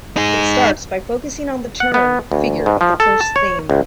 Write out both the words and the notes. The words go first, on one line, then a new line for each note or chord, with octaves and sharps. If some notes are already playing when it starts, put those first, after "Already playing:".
It starts by focusing on the "turn" figure of the first theme.
D#4 G#4
F#5
B3
D2
G#2
F3
A4
A5
C#5
C#2